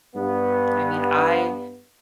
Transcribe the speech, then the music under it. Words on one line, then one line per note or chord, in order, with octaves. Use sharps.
I mean, I
G2 B3